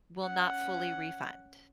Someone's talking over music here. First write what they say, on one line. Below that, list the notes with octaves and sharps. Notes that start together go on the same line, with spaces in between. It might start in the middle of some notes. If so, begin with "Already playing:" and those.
will not fully refund.
C#4 F#5